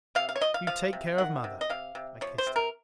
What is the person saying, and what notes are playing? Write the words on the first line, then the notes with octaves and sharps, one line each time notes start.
"You take care of Mother." I kissed her.
C3 F5
F5
C#5
F3 D#5
F5
F3 F5
C3
D#3 F#5
C3
D#5
C3 F5
C3
F3 C#5
C5
C3
A#4